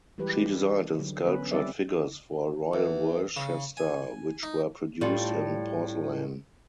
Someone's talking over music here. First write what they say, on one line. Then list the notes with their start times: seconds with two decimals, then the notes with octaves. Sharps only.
She designed and sculpted figures for Royal Worcester which were produced in porcelain.
0.18 E3 G3 G#3 G4 B4
0.99 D3 F#3
1.26 D3 B3 C#4 B4
1.51 G3 C4 C#4 A4 D5 E5
2.73 E2
3.37 C#3
3.77 G#5
4.43 D#4
5.01 A2 G3 F4